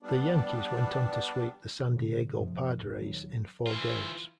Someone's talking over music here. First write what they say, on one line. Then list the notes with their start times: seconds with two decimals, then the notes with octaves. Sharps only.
The Yankees went on to sweep the San Diego Padres in four games.
0.03 G3 B3 D4
1.91 G#2 B2 D3 F#3
2.39 F#2 A2 C3 F3
2.79 A#1 F2
3.01 D#1 D#3 F#3
3.67 E3 F4